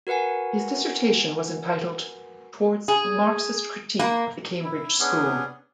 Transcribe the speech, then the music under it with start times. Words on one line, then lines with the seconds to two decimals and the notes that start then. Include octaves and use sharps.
His dissertation was entitled "Towards a Marxist Critique of the Cambridge School".
0.07 F#4 A#4 B4 F#5 G#5
2.88 G#4
3.99 A#3
4.64 E4
5.00 B3 C#4 D4 G#4